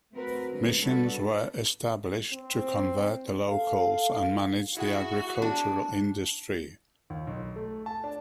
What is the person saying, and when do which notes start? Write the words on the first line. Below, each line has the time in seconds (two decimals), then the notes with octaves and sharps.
Missions were established to convert the locals, and manage the agricultural industry.
0.13 A3 C4 F#4 A#4 B4
0.50 D3 F3 G#3
0.80 B2 G3 D4 F#4 A4 B4
2.33 C4
3.48 A4 F5
4.77 E4 F#4 G#4 F#5
5.42 D4 A5
7.10 D#2
7.27 B1
7.56 A3
7.86 A5
8.04 D4